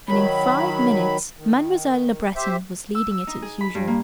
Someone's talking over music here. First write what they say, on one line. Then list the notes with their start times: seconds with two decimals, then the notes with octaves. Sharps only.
And in five minutes Mademoiselle Le Breton was leading it as usual.
0.08 D#3 F#3 B5
1.39 D#3
2.36 G4 C5 E5
2.95 E6
3.11 E6
3.27 D#4
3.42 G#4
3.61 B5
3.75 G2
3.87 A#3